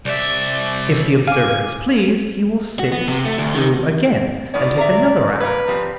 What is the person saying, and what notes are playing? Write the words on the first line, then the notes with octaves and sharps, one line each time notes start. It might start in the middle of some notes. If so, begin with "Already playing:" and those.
If the observer is pleased, he will sit it through again and take another hour.
C2 D5 E5
F5 G#5 D6
F#4
B3
C3
A3
D2
D#3
A2 D#3 B3 D5
E5 A#5
A#3 A#4 B4
F3 G3 C4